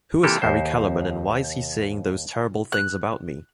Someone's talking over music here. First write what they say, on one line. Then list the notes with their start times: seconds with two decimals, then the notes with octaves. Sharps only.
Who Is Harry Kellerman and Why Is He Saying Those Terrible Things About Me?
0.23 C3 E3 A#3 G4 A4
0.42 D#2 C5
2.72 F#6